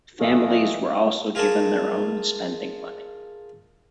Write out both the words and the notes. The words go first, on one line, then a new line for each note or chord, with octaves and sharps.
Families were also given their own spending money.
E3 F#3 A3 F4 D#5 F5
F4 G#4 A#4 G#5 A5 D6